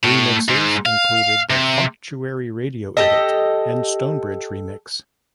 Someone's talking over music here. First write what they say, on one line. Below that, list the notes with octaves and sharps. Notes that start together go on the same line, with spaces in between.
Remixes included the Funktuary radio edit and Stonebridge remix.
A2
G#2
F5
C3
G4 A4 D#5